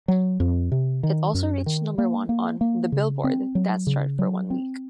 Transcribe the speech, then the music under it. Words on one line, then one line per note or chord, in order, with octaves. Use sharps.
It also reached number one on the "Billboard" dance chart for one week.
F#3
F2
C3
D#3
F#2
D#3
A#3
A#3
A#3
C#3
C4
F#3
C#3
F#3
C4